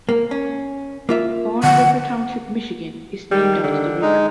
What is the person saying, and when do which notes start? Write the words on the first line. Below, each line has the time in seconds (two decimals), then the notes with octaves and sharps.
Fawn River Township, Michigan is named after the river.
0.09 A#3
0.31 C#4
1.09 A#3 F4 E5
1.63 D3 F3 F#5
3.31 D#3 G3
3.64 D3
4.02 G#3 D#4